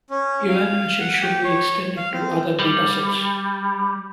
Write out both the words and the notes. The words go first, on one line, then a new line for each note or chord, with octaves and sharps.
Evaluation should be extended to other datasets.
C#4
F5
F#5
G4
C#5
F5
C4
G3